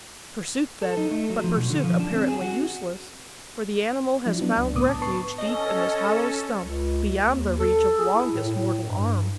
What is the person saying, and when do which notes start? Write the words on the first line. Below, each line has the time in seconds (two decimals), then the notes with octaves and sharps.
Pursuit then, but pursuit apparently useless, for the animal has found refuge deep in this hollow stump, beyond the reach of longest mortal arm!
0.82 A4
0.97 D#4
1.11 A3
1.30 F#3
1.44 F3
1.57 B2
1.70 D3
1.84 F3
2.00 D4
2.14 C4
2.28 G#4
2.41 F#4
4.25 F3 F#3 D4 E4
4.41 F#3 B3 D4
4.57 C#2 D4
4.74 C2 A2 C#3 B3 D6 D#6
4.89 A5
5.02 B4 A5 C#6 C7
5.38 C#4 A4 D#5
6.61 C#2
7.21 D#2
7.59 A4
7.98 G#4
8.14 E4
8.33 A2
8.50 A2
8.82 G2